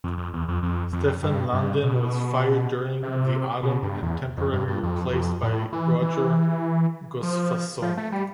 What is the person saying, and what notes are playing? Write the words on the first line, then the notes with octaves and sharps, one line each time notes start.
Stefan Lundin was fired during the autumn and temporary replaced by Roger Gustafsson.
F2
F2
E2
F2
F2
F2
G2
G2
B2
C3
B2
G2
E2
F2
G2
G2
F2
F2
A2
E3
E3
F3
F3
A3
G3